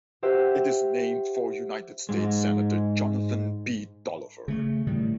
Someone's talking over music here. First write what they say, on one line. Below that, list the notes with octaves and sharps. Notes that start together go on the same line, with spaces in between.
It is named for United States Senator Jonathan P. Dolliver.
F#4 G4 C5 E5 G5
G#2 G#3
C#3 A3
A2 D#3 G3